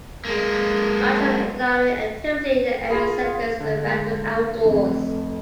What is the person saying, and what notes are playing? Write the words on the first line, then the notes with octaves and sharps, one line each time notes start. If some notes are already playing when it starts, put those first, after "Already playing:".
Much of the economic activity in the area centers around the outdoors.
G#3 A#3
F4 G#4 B5
F5
D3
G#3
F1 F2